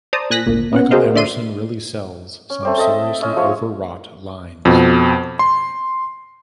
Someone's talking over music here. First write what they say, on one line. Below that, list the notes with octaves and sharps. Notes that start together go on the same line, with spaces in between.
Michael Emerson really sells some seriously overwrought lines.
C5 D5 A5 A#5 D#6
A#2 G#5 F#6 A#6 B6
G#1 D2 A#2 A#3
B3 C#4 F#5
F#4 G#4 A#4 C5 D#5 F5
D3 D5 E5 C6 D#7
C#4
A3 C4 D5
A4 D#5 E5
C#4 D#5 E5
F3 G#3 C#5
F2 B2
C6